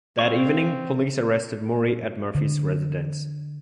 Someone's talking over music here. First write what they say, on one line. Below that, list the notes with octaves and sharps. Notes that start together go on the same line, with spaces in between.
That evening, police arrested Moore at Murphy's residence.
C4 F5 C#6
D3